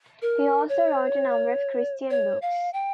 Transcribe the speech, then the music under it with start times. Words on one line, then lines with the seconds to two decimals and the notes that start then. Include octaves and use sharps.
He also wrote a number of Christian books.
0.22 A#4
0.69 C#5
2.11 C#5
2.42 F5
2.73 G5